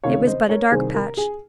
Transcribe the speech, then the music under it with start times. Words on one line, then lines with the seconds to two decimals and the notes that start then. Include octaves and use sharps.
It was but a dark patch.
0.04 C#2 C3 D#3 C#5 F5
0.26 C5 D#5
0.49 A#4 C#5
0.71 C2 C3 D#3 G#4 C5
0.94 A#4
1.17 G#4